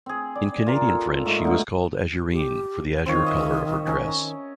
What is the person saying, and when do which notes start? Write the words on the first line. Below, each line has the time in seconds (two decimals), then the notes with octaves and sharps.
In Canadian French she was called Azurine, from the azure color of her dress.
0.06 C4 G#4
0.35 D5
0.67 F4 A#4
0.88 A4
1.26 G#2 A3 D#5
1.45 B2 D3
2.33 G4
3.06 D#3 C4 F4 C#5
3.26 D#5 E5
3.87 C#4 A#4